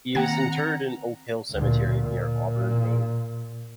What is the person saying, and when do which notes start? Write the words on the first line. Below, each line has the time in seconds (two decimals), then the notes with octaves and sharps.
He is interred in Oak Hill Cemetery, near Auburn, Maine.
0.15 D#3 A#3 C4 F#5 G5 A#5 G#6
1.51 D2 A#2
2.03 A#2